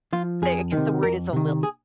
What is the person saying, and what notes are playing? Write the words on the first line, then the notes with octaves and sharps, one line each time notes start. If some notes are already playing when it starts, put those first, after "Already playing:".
They I guess the word is a lilt.
F3 F4
F2 G#4
C3 D#3
F2 A#4
C3 D#3
G#4